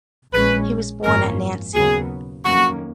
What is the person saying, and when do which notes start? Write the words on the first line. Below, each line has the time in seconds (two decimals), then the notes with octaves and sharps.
He was born at Nancy.
0.33 A#1 A#2 G#3 C#4 B4
1.04 G#1 F#2 F3 A#3 C#4 A#4
1.74 D#2 C#3 F#3 B3 G#4
2.45 F2 D#3 F#3 A#3 C#4 F#4